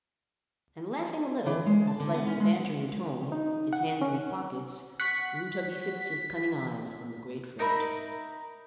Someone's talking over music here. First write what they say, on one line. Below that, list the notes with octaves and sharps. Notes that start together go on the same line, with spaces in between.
And laughing a little, in a slightly bantering tone, his hands in his pockets, Rouletabille fixed his cunning eyes on the great Fred.
E3
G#3
A5
D3
B3
C#4
G#3
F#5
D#4
F#5
C#4
F#5 C#6 F#6 B6
D#4 A#4 E5 B5